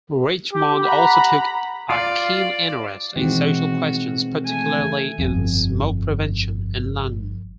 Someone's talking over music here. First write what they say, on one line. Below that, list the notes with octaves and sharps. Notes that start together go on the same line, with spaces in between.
Richmond also took a keen interest in social questions, particularly in smoke-prevention in London.
G4
F#5 A#5 B5
F4 D5
B2 D#3 E3 G#3 C4 F#4
A3 G#5
G1 F2